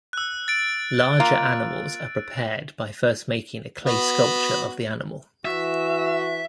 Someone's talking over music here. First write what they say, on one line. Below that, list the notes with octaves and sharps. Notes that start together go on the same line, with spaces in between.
Larger animals are prepared by first making a clay sculpture of the animal.
E6 F#6
A6 D7
A#3 F4
B3 F#4
E3 F#4 E5